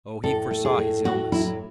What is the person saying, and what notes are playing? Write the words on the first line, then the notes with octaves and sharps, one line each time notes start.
Oh, he foresaw his illness!
A2 A4
A3
G#4
A2
A2 F#4
F#3 E4